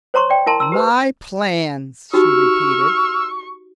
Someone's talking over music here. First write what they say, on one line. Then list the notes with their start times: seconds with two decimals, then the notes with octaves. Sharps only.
"My plans," she repeated.
0.14 C5 C#5 A#5 C6 C#6
0.30 D5 G5
0.46 E4 A#4 A5 A#5 C6
0.60 A#5 C6 E6
0.72 G4 B4 C5
2.13 D#4 F#4 G4 C#6 E6 F6